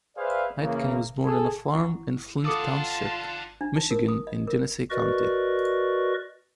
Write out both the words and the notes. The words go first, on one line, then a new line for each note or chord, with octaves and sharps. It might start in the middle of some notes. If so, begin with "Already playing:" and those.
Aitken was born on a farm in Flint Township, Michigan in Genesee County.
G#4 B4 C5 D5 E5 F5
C#3 E3 A#3
G#4 A4
E4 F#5 C#6
F4 A4 D5 F#5 A5 D6 E6
D4
D#4
A#4
D#6
D#5
A#4
F#4 A#4 B4 D5 D#5 C#6